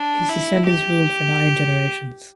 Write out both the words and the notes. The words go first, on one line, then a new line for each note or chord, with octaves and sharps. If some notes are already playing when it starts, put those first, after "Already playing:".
His descendants ruled for nine generations.
Already playing: D4
E4
G4